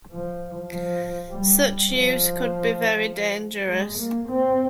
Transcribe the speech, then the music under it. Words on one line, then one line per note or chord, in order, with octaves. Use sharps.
Such use could be very dangerous.
F3
F3
G3
F3
G#3
A#3
C4